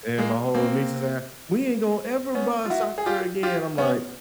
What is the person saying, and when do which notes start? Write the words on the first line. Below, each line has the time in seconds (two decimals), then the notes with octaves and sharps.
and my whole niece is saying, "We ain't gonna ever buy supper again," I'm like
0.18 G#3 A#3
0.54 A#3 C4
2.34 B3 C#4
2.65 F4
2.70 E4 F#4
2.98 G#4
3.06 F4 G4
3.43 F4 G4
3.78 B3 C#4